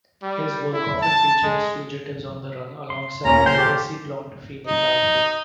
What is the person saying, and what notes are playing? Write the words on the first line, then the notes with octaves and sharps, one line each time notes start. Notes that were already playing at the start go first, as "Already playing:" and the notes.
His work often features fugitives on the run alongside "icy blonde" female characters.
G3
E4
A5
G#3
C6
D#2 A#2 A#3 C#4 A#5
A#2 C#3 C5 G5
G4 A4 F5
D#4